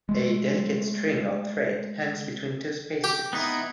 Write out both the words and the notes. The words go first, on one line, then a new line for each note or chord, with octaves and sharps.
A delicate string or thread hangs between two spaceships.
G#3 A3
G4
B3 D#4 E4